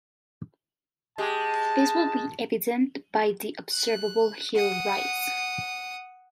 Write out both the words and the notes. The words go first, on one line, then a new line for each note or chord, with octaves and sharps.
This would be evident by the observable heel rise.
G#3 G4 A5
F#6
F#5 D#6